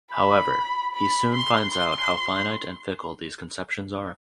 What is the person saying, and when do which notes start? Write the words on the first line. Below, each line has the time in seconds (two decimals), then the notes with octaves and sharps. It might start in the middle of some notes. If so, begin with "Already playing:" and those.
However he soon finds out how finite and fickle these conceptions are.
0.12 B5
0.93 B5
1.34 C6
1.74 C6